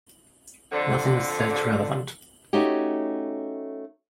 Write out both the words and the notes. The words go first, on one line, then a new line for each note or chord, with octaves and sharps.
Nothing's that relevant.
F2 D3
A3 C#4 D#4 F#4 G4